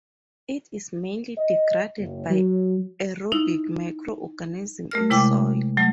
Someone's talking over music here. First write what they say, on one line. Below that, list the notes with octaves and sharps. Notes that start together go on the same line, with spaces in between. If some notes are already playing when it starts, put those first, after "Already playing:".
It is mainly degraded by aerobic microorganisms in soils.
D#5
F#1
F#3
D#4 E4
A3 A#4 F6
C3 G#3 E4 G5 D6
F#3 A3